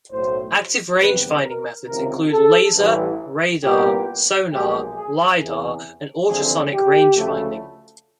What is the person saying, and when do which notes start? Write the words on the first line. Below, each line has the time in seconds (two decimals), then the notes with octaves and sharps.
Active rangefinding methods include laser, radar, sonar, lidar and ultrasonic rangefinding.
0.11 B1 A2 F#3 A3 C5
1.00 E2 C3 D#3 G3 B3 B4
1.43 A#4
1.87 C#2 C3 D#3 A#4
2.31 A4
2.76 A1 G2 E3
3.63 C2 A#2 G3 B3 G4
4.52 B1 A#2 F3 G#3 G4
4.96 G#4
5.40 E2 C3 E3 G#4
6.28 D#2 D3 F3 A3 C4 G#4
6.72 G4
7.16 D2 C#3 F3 A3